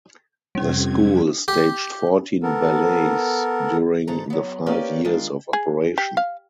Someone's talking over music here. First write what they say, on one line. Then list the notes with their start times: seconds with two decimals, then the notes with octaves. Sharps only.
The school staged fourteen ballets during the five years of operation.
0.55 F2 C3 G3 C#4 G#6
1.48 G4
2.43 B3 A4 A#4
4.07 G#2 D3 A4 A#5
4.30 F#3 B3
4.66 A#3 C#4 G4 B4 D5
5.05 D#3 G#3 D4 F4
5.53 G#4
5.98 G4
6.17 F5